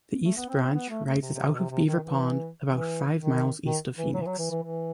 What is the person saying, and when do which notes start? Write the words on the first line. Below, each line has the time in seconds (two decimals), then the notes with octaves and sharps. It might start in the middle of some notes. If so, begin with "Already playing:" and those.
The east branch rises out of Beaver Pond about five miles east of Phoenix.
0.24 A3
0.37 B3
0.49 C4
0.61 C4
0.74 B3
0.89 A3
1.06 A3
1.22 C3
1.34 C3
1.46 C3
1.53 B2
1.58 C3
1.70 C3
1.87 D#3
2.03 E3
2.68 E3
3.17 D#3
3.66 D#3
3.97 E3
4.14 F#3
4.21 E3
4.26 F#3
4.38 E3
4.51 E3
4.62 E3